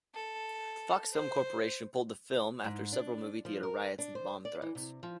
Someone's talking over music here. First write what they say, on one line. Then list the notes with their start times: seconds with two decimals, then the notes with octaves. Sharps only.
Fox Film Corporation pulled the film after several movie-theater riots and bomb threats.
0.15 A4
1.12 C5
2.64 G#2
2.93 D4
3.45 F3
3.63 A#4
3.99 D4
4.15 C5
4.45 D5
4.62 E3
4.75 C3
5.03 F3